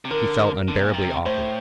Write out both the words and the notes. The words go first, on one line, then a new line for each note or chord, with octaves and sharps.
He felt unbearably awkward.
C3
D3 A#4
D3
C3
A#2
C3
A2 C5